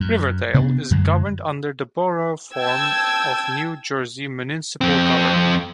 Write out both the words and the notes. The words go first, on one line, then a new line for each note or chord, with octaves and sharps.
Riverdale is governed under the Borough form of New Jersey municipal government.
F#2
C3 B3 D4
F#2 D3 F#3 G#3
G5 A5 E6 G#6
F2 C4